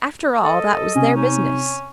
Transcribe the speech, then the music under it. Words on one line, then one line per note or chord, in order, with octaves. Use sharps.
After all, that was their business.
A4 D#5
C3 C#4
C#4 D#4